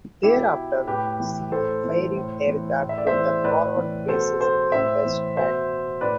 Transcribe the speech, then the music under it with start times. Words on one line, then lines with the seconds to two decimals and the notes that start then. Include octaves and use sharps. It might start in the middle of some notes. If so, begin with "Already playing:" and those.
Thereafter she ferried aircraft to forward bases in WestPac.
0.23 B2 E4 G4
0.87 A2 G4 B4
1.20 E3
1.52 A2 A4 C5
1.84 E3
2.16 A2
2.47 E3
2.80 A2
2.89 E5
2.98 D5
3.07 C5 E5
3.13 E3
3.44 A2 B4 D5
3.76 E3
4.08 B2 A4 C5
4.41 A4 C5
4.72 A2 C5 E5
5.05 E3
5.37 B2 C5 E5
6.01 A2 B4 D5